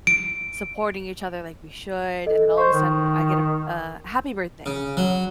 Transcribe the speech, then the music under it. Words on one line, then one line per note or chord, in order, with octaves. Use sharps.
supporting each other like we should, and then all of a sudden I get a a happy birthday.
D7
A4 D#5
C5 C#6 G6
D#3
C#3
F#3